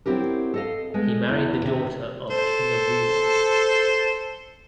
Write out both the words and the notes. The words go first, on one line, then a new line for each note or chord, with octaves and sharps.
He married the daughter of king of Rewa.
F#3 C4 E4 G4 A#4
A4 D#5 F5
G#3 A3 B3
E2 E4
C3 D#3 D4 E5
A4 C5